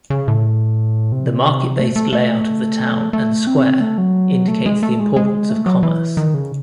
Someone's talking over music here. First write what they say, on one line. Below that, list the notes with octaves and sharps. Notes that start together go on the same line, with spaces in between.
The market based layout of the town and square indicates the importance of commerce.
C#3
A2
C3
A3
A3
A3
A3
C4
A3
F#3
A3
G#3
A3
G#3
G#3
A3
F#3
E3
D#3
C#3